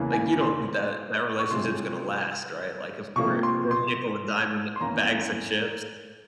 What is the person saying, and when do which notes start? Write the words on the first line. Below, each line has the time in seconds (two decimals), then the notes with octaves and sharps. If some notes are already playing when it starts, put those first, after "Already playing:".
Like, you don't think that that relationship's gonna last, right? Like, if we're we're nickel and diming bags of chips.
Already playing: E2 C#3 E3 A#3
0.13 G#5
0.41 C6
1.39 C#6
1.51 C3 F3 G#3 C6
3.16 C3 F3 A#3 C#6
3.43 C6
3.71 C6
4.76 C6
4.81 E2 E3 A#3 C#4 A#5